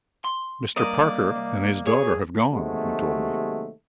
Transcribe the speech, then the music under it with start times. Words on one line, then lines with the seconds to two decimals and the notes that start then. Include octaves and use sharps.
"Mr. Parker and his daughter have gone," he told me.
0.24 C6
0.76 G2 A#3 A#4 D5 D#5
1.36 C2
1.87 G#4 C#5
2.51 D#2 C3 F#3 G#3 A3